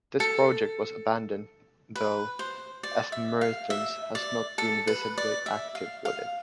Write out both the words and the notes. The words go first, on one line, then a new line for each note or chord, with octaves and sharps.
This project was abandoned, though, as Mertens has not been visibly active with it.
A4
B4
C5
D5
E5
F5
E5
D5
A4
B4
D5
E5
F5
F5